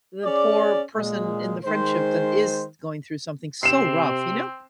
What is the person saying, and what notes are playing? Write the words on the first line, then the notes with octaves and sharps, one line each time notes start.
the poor person in the friendship that is going through something so rough, you know?
C#4 G#4 D5
A#2 G#3
D#3 G#3 C5
C3 C4 C7 E7